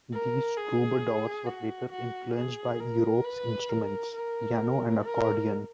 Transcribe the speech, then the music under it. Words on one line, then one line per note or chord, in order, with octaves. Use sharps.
These troubadors were later influenced by Europe's instruments: piano and accordion.
A#4
G#4
F#4
F#4
G#4
A#4
B4
A#4
A#4
A#4